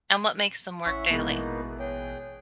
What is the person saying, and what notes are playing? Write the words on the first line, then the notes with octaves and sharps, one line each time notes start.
and what makes them work daily?
A1 C#4 E4 E5 F#5 C#6
B2 E3 G#3 A#3 B3 D#4
G#4 C#5 G5